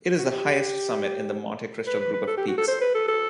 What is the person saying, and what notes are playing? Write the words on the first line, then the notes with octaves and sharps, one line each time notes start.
It is the highest summit in the Monte Cristo group of peaks.
F#4
G4
B4
B4
B4
A4
G4
F#4
A4
C5
B4
A4
A4